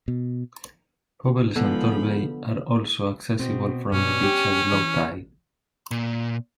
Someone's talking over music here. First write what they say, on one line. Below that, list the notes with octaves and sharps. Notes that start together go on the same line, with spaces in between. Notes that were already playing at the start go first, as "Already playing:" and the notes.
Pobbles and Tor Bay are also accessible from the beach at low tide.
B2
D3 F3 G#3 B3 D#4 B5
B2 C4
G2 B2 C#4
G4
E3
A#2